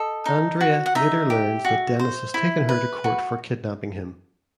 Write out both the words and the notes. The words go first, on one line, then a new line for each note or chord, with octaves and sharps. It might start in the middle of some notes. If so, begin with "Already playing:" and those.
Andrea later learns that Dennis has taken her to court for kidnapping him.
Already playing: A4 D#5
D#4
F#4
F#5
D#4 E5
G4
F#4
C5
E4
B4
F#4